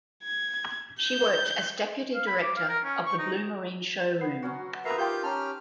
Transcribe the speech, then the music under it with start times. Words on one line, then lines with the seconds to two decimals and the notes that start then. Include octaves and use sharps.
She worked as deputy director of the Blumarine showroom.
0.24 G#6
1.00 G6
2.15 F5
2.27 B5
2.43 D6
2.57 F5
2.69 A#4
2.84 C#4
3.07 C#6
3.19 D#4
4.21 B3 C7
4.42 F#3 C#4 F#4
4.85 D#4 A#4 B4 E5 F5 A#5 C7
4.98 F4 G4 A#4 C5 F5 G5 G6
5.23 C#4 G4 A5 A#5 F6